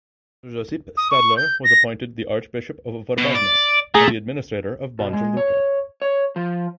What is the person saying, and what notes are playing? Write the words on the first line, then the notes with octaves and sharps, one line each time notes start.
Josip Stadler was appointed the Archbishop of Vrhbosna and Administrator of Banja Luka.
D#6
C#6
G6
A#6
B2
D5
A3 G#4 G#5 A#5
B2
G#3
C#5
C#5
F3